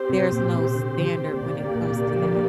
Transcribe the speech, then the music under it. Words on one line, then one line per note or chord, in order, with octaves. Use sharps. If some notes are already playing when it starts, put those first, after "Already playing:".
there's no standard when it comes to that.
Already playing: C4 G4 C5
C3
A#2
C3
D3
D3
C3
C3
A#2 A#3 G4 D5
D3
A#2
C3
D3
F3
D3